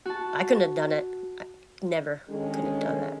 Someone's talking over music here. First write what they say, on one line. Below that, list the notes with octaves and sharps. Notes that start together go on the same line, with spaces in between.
I couldn't have done it. I never couldn't have done that.
F#4 A5
D#3 G#3 C#4 D4 G4 A4